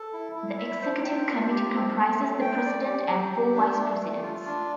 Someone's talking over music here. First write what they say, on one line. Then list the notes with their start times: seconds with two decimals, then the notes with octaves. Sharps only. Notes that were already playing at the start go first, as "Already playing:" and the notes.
The Executive Committee comprises the President and four Vice-Presidents.
Already playing: A4
0.13 E4
0.35 E4
0.58 E5
0.82 C5
1.04 G5
1.27 F4
1.50 G4
1.72 C4
1.95 A3
2.18 A3
2.41 G5
2.64 D5
2.86 G4
3.09 G4
3.32 G4
3.55 D4
3.77 A3
4.00 A3
4.23 F4
4.46 D4